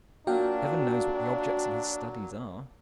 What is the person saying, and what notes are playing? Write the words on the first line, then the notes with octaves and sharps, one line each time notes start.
Heaven knows what the objects of his studies are.
F#3 A#3 D4 F4 F#4 F5 G5